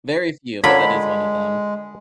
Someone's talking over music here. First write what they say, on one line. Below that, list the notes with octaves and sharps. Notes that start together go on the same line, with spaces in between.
Very few, but that is one of them.
D3 C#4 F4 A#4 C#5 B5
G#3